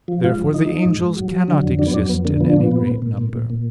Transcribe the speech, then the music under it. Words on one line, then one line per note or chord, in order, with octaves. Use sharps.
Therefore the angels cannot exist in any great number.
F3
G#2 F4
F3
F3 D#4
F3
G#2
G#2
F#3
F#3
D3
F2
F#3 D4
B3
F2 D4
F2 B3
D3 A#3
F3 B3
D4
A#2 B3
A#2
A#2
A#2
A#2
A#2
A#2